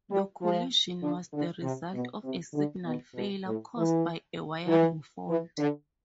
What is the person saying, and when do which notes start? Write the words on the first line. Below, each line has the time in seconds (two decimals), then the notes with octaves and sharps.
The collision was the result of a signal failure caused by a wiring fault.
0.11 G3
0.41 F3
1.02 D3
1.33 D3
1.63 C3
1.94 B2
2.24 C3
2.54 D3
2.85 B2
3.15 B2
3.46 A2
3.77 E3
4.67 E3
5.29 E3
5.58 D3